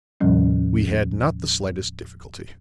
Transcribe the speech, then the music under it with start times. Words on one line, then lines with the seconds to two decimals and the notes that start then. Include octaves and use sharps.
"We had not the slightest difficulty."
0.21 D#2 A2 C3 F3 G3 C#4